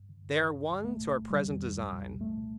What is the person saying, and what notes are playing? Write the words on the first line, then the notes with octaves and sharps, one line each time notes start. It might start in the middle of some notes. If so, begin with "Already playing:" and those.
They are one to our present design.
Already playing: G2
D3
G2
D2
D3
D2
C2 A3
A#2
C2
D#3 G3
F2
F2
C2
A#2
C2
C2 A3
A#2